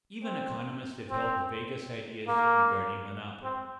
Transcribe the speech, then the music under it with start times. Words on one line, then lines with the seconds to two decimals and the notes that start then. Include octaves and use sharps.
Even economists have held the vaguest ideas regarding monopoly.
0.23 C4
1.11 C4
2.28 A#3
3.44 C4